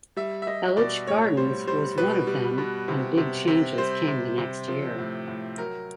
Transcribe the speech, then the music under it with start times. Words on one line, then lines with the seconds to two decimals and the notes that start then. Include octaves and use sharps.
Elitch Gardens was one of them and big changes came the next year.
0.17 G3 E5
0.42 E5
0.47 G3 D#5
0.77 B2 D5
1.07 A2 C#5
1.37 G3 C5
1.67 G3 C5
1.97 B2 B4
2.27 G3
2.58 B2
2.88 C3
3.17 C3
3.48 C3
3.78 G3 C5
4.08 C3
4.38 C3
4.68 F3
4.98 A2
5.28 A2
5.58 F#3 A#4